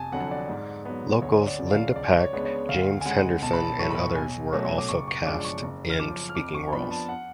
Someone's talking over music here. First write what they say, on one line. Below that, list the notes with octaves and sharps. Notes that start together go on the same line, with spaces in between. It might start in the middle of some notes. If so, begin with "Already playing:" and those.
Locals Linda Pack, James Henderson and others were also cast in speaking roles.
Already playing: F1 G#5 A5
F2 D3 F#3 F#5
D5
G#2
F#3 B3
D2 C#5
C#5
D5
C#3 F3
D5
F5
C#2 D5
C#5
C#3 G#3 B3 D4
C#5
D2 F5
G#5
C#3 G#3 F#5
B1 A5
B5
A5
A2 F#3 A3 C#6
B5
C#6
B1 G#5
B2 F#3 A3 C#4
D6
F#1 C#6
C#6
F#2 F3 G#3 D4 D6
C#6
F#1
F6
F#2 F3 D6
F6
F2 D6
C#6
F3 B3 D4 B5
A5
F#5